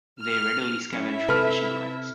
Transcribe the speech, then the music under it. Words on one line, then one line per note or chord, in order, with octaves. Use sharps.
They readily scavenge from fishing lines.
F6
C#4 E4 E5
C3 A4 B4 F6